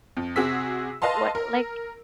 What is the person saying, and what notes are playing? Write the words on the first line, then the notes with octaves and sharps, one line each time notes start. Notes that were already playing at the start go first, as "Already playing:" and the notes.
what like,
F2
C3 F#4 G#4 E6 B6
B4 D#5 F5 A5 C6
A#4